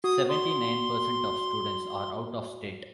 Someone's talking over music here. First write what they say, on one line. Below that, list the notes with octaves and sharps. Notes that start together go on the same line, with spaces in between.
Seventy-nine percent of students are out-of-state.
F#4 D#6
C6